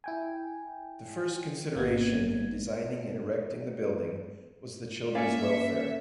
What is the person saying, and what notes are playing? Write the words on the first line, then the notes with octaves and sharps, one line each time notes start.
The first consideration in designing and erecting the building was the children's welfare.
E4 G5 G#5
G#1 A#3 B3 C#4 G#6
A#3 C#4 D5 E5 F5 G#5 C#7